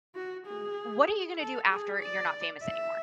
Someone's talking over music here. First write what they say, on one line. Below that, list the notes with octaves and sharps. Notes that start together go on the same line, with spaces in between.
W what are you gonna do after you're not famous anymore?
F#4
G#4
A4
G#4
D5
E5